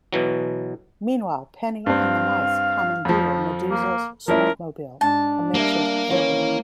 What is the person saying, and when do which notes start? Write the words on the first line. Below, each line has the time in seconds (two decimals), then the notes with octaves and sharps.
Meanwhile, Penny and the mice commandeer Medusa's swamp-mobile, a makeshift airboat.
0.13 B2 E3 F#3
1.86 G2 C4 F5
3.05 F2 F3
3.71 A#3
4.28 F3 C#4 E4 A#4
5.01 G#2 D4 A5
5.54 G3 A#3 E5
6.10 D#3 E3 C#4